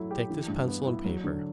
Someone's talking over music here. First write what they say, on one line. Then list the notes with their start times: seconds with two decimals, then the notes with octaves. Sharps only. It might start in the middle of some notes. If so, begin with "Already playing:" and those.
Take this pencil and paper.
Already playing: F#3 A3 E4
0.11 G4
0.30 E3
0.48 G2
0.68 B3
0.86 E4
1.04 F#3
1.24 D3